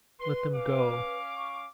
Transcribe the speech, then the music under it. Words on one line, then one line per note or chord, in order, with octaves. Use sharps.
Let them go!
B4 C6
C#4 F5 D6
C#6